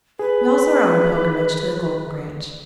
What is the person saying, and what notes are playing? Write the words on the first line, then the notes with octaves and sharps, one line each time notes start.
'We also are on a pilgrimage to the Golden Branch.'
G#4 B4